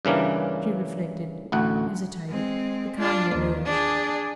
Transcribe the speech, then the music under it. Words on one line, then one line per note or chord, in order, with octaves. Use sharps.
She reflected--hesitated. The cardinal urged.
G2 C#3 E3 A#3 D4
A1 D2 F#5
G#3 C4
D4 F4
D#2
D4 G#4